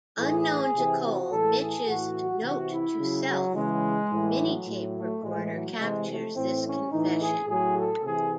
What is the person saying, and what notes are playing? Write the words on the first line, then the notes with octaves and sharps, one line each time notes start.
Unknown to Cole, Mitch's "note to self" mini-tape recorder captures this confession.
A2 E3 G#4
C3 E3
F#4
A2 E3 A4
G#4
A2 E3 F#4
C3 E3 F#4
E4
C#3 F#3
F#3
C#3 E3 G#3
A2 E3
F#3
A2 F#3
A3
A2 E3 G#3
F#3
C3 E3 G#3
A3
A2 E3 C4
C#4
A2 E3 D#4
G#4
A2 F#3 G#4
A4
C3 E3 G#4